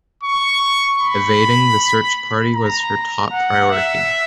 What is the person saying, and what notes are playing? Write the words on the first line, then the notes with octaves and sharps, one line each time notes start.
Evading the search party was her top priority.
C#6
B5
A#5
F#5
E5